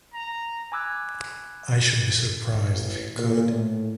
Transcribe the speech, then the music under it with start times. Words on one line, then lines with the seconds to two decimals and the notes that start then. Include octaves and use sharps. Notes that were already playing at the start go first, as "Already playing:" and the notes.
I should be surprised if he could.
0.14 A#5
0.72 G#5 B5 D6 E6 F#6 G#6
2.71 A1
3.17 A#2
3.51 A2